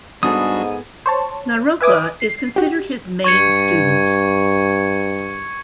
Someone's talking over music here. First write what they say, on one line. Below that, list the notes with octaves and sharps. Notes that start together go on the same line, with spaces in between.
Naropa is considered his main student.
G#2 G3 B3 D4 F#4 G#4 A4 D#6
C5 C#5 A5
B4 E5 G#5 D6 D#6
C7
F#4 G4
G2 C#6 G#6 C#7